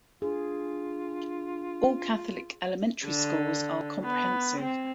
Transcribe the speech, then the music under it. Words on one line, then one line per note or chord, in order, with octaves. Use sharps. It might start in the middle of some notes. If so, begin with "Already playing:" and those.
All Catholic elementary schools are comprehensive.
D4 F4 G#4
D3
B3
C4